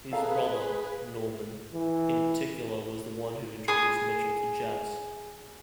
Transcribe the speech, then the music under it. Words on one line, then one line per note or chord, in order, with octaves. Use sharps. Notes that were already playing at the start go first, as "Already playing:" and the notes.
His brother, Norman, in particular was the one who introduced Mitchell to jazz.
G#4 A4 B4 F5 A#5
E3
G#4 D#6